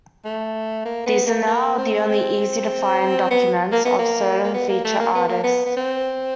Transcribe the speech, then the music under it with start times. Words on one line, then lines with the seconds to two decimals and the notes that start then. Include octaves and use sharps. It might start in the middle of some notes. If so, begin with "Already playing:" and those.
These are now the only easy-to-find documents of certain featured artists.
0.25 A3
0.85 A#3
1.06 B3
1.27 A#3
1.47 A#3
1.78 C4
2.09 C4
3.31 B3
3.72 A#3
3.85 B3
3.99 A#3
4.44 A#3
4.54 B3
4.69 A#3
4.84 A3
5.00 A#3
5.15 B3
5.29 A#3
5.44 B3
5.66 B3
5.77 C4